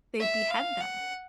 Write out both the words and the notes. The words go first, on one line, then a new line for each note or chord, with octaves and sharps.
they behead them.
E5
F5
F#5